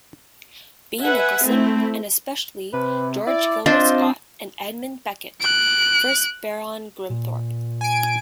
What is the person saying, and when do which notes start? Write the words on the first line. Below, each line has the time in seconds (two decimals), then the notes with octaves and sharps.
B. Nicholson, and, especially, George Gilbert Scott and Edmund Beckett, first Baron Grimthorpe.
1.03 B4 E5 F#5 G#5
1.48 A3 C4 E4
2.73 C3 B4
3.27 E4 D5
3.66 C4 D4 F4 C5 D#5
5.41 F#6 D7
7.09 A#2
7.81 G#5 D7